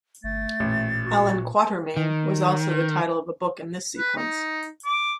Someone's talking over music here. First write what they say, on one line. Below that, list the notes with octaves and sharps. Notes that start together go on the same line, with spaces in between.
"Allan Quatermain" was also the title of a book in this sequence.
G1 A3 A6
A1 A#2
F#4
D#3
B4
D#4
D6